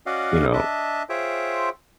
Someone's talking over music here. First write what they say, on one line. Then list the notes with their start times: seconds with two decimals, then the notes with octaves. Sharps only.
you know,
0.06 C#4 F#4 D5 D#5 F5 F#5
0.53 D4 D#5 E5 A5
1.09 F4 G#4 C5 C#5 E5 G5